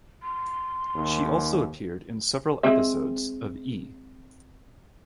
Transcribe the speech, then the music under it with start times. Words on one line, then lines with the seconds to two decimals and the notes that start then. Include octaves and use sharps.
She also appeared in several episodes of E!
0.23 C6
0.95 D#2
2.63 G#3 C4 E5